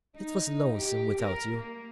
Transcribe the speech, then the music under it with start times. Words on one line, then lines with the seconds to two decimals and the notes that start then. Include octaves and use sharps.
It was lonesome without you.
0.16 D#4
0.79 G4
1.21 A#4
1.55 A#3